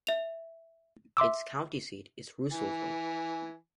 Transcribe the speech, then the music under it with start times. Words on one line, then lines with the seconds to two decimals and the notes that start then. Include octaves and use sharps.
Its county seat is Russellville.
0.07 E5 F7
1.17 E5 C6 D6 E6
2.52 E3 G#5